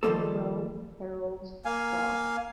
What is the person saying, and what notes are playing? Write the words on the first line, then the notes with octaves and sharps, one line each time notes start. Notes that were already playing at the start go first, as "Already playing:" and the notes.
Jerome, Harold's Cross.
D#3 F3 G3 G#3 A#3 A4
A#3 F5 G#5